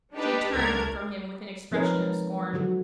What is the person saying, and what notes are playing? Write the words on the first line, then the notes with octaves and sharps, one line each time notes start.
She turned from him with an expression of scorn.
D4 D#4 G4 B4
C#2 A3 D4 A#4 G#6
F3 C4 D#4 A#4 B4 C#5
G#3
D3 F#3 F#4 A4